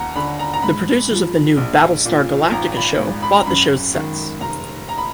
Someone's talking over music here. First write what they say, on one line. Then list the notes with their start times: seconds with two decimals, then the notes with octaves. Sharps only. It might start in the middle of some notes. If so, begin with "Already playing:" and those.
The producers of the new "Battlestar Galactica" show bought the show's sets.
Already playing: D#2 F#5 A#5
0.16 D3 B5
0.39 A#5
0.54 A#5
0.63 G#2 B5
1.11 F3
1.57 A#1
2.05 A#2
2.52 G#1 A#5
2.76 B5
2.99 G#2
3.22 B5
3.35 A#5
3.46 F#2 B5
3.94 D#3
4.41 F1 A#5
4.89 A#5
4.98 B5